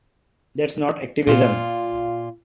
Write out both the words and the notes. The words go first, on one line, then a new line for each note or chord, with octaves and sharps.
That's not activism.
A#2 F4